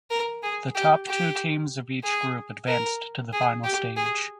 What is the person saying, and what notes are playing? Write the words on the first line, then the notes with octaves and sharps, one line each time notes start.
The top two teams of each group advanced to the final stage.
A#4
G#4
G4
G4
G#4
A#4
G#4
G4
G#4